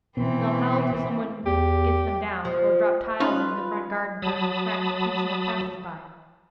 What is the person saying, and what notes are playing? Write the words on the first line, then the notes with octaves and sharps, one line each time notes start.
They'll howl till some one gets them down, or drop tiles into the front garden to attract attention of passersby.
B2 E3 B3 C4
E2 G4
F3
C#4 D#4 F4 B4 F6
F#3 A5 B5 D#6